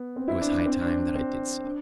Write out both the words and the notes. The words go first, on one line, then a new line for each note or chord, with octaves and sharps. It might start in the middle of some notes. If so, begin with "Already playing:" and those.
It was high time that I did so.
Already playing: B3
C4
E4
D4
D4
C4
D4
D4
C4
D4